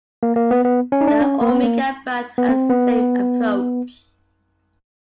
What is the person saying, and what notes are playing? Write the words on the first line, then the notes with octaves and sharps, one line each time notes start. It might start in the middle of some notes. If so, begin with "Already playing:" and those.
The Omega brand has the same approach.
A#3
A#3
B3
B3
C#4
D#4
D4
C#4
A#3
B3
A#3
B3
C4
B3